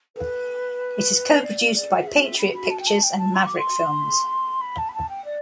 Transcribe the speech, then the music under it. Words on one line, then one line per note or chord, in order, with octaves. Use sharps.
It is co-produced by Patriot Pictures and Maverick Films.
B4
D5
D5
F#5
E5
E5
B5
B5
A5
G5
A5
G5
A5
C6
D6
C6
B5
A5
B5
A5
G5
D5